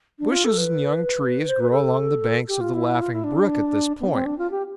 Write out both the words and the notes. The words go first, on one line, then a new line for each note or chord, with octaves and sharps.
Bushes and young trees grow along the banks of the Laughing Brook at this point.
D4
F4
A4
B4
C5
B4
A4
G4
F4
E4
F4
E4
D4
B3
D4
C4
D4
F4
G4